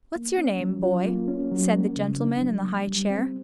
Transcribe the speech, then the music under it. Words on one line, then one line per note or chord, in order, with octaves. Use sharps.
'What's your name, boy?' said the gentleman in the high chair.
A#3
C#4
F#3
F4
A#3
C#4
F#3
A#3
C#3
D4
F#3
A#3
G3
C4